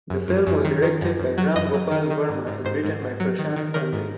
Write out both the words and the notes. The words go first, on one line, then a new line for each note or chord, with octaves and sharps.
The film was directed by Ram Gopal Varma and written by Prashant Pandey.
F#2
F#2
F#2
D#3
D#3
F#2
F#2
F#3
F#2 D#5
F#3
D#3
D#3
G#2
G#2
G#2 C5
G#2
G#2
F#3
D#3
D#3
D#3 A#4
G#2